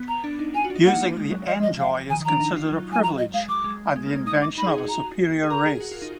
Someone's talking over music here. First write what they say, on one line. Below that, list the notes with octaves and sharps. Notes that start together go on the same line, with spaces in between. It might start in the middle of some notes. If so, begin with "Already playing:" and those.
Using the Endjoy is considered a privilege and the invention of a superior race.
Already playing: B3
A#5
D4
D#4
F4 G#5
F#4
D4
D#4
A#3 F#5
G#3
F#3
F3 D#5
D#5
F5
D#3 G#5
D#3
D4 A#5
D#4
F4
F#3
F#3 G#5
A#5
D#5
G#3 F5
F#3 D6
G#3
G#3
A#3
G#3
D#4 D#6
D6
D#4 B5
G#4
F#4
A#5
G#4
A#4 A#5
G#4
F#4
F4
D#4